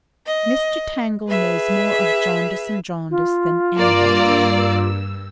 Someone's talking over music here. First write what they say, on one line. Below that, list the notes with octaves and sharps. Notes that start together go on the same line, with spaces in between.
Mr. Tangle knows more of Jarndyce and Jarndyce than anybody.
D#5
G#4 B4 E5
F4
G2 A#3 D5 E6